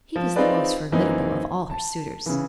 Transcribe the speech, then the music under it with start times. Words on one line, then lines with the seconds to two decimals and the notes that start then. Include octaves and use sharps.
He was the most formidable of all her suitors.
0.16 F3
0.36 C4 D#4 F4 G#4 B4 D5
0.92 F#2 E3 A#3 C4 D#4
1.70 A5
2.26 C#3 E3